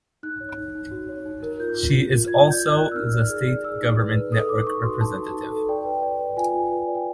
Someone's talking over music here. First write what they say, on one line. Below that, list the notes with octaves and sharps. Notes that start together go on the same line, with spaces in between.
She is also the State Government Network Representative.
D#4 F#6
C#5
D#4
D#4
F#4
C#5
D#4
A#4
F4 G6
F4
A#4
F4
F4 G#6
D5
G6
D5
F#6
A#4
E6
D#4 F6
D5
G#4
D5
G#4 E6
D#4
B4
B4
A4 D#6
D#4 D6
D#4 C#6
F#4 C6
D#4 A5
F#4
D#4
A4
D5 G5
B4
D5
B4
F4 G#5
F4
B4
D5
G5